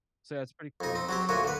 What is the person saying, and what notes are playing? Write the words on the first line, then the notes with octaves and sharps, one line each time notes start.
So that's pretty cool.
F2 D#4
C4
F#3 C4 G4
D2 A#2 F#4 C#5
D3 B4